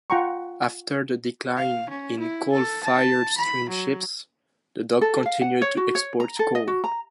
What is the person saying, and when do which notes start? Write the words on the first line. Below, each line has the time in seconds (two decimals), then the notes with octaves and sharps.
After the decline in coal-fired steamships, the dock continued to export coal.
0.10 F4 F#5 G5 A#5 C6 C#6
1.56 F5
1.90 C#4
2.19 E4
2.52 A4
2.83 A5
3.37 B5
3.69 F#3
5.01 A4
5.26 F5
5.42 F#5
5.62 C#5
5.77 F#4
5.95 C#5
6.20 A#5
6.39 A4
6.55 D#5
6.68 F#4
6.84 A#5